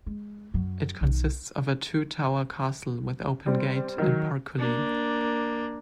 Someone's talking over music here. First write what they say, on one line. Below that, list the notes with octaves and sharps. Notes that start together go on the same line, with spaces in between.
It consists of a two tower castle with open gate and portcullis.
G#3
F#2 F#3
B1 D#3
G3 C4
D#3 F#3
A#3 D4